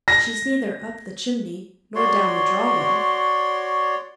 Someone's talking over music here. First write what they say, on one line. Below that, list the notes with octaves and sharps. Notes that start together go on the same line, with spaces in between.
She's neither up the chimney nor down the draw-well.
A#6
F#4 C#5 D5 C6